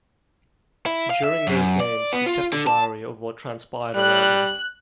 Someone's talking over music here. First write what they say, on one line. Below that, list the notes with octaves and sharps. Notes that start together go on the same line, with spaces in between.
During those games, he kept a diary of what transpired around him.
E4
F5
E5
F#2
D5
B3
F4
D3
A5
G3 F#6